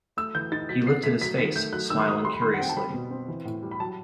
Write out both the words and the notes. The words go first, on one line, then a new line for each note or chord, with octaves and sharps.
He lifted his face, smiling curiously.
A3 E6
E3 G6
D#4 A6
F#3 B6
B2 C7
A3 B6
F#3 B6
D#3 B6
A3 G6
F#3 F#6
D#3 E6
C6
A3 D#6
G3 C6
B5
D#3 C6
F#5
C4 G5
A5
G3 B5
B2
C4
E3
A2
G3
B5
F#3 A5